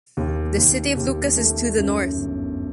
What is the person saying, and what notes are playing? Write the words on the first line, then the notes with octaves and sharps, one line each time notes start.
The city of Lucas is to the north.
D#2
D#2
D#2
A3
F#2
G1